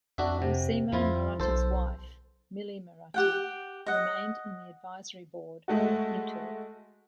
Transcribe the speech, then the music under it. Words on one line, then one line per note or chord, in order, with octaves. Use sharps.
Massimo Moratti's wife, Milly Moratti, remained in the Advisory Board of Inter.
F2 D4 F#4 E5
C3
F2 F3 E4 F4
B1 A4 C5
G4 F#5 G5
D#5 F#5
G#3 A3 F#4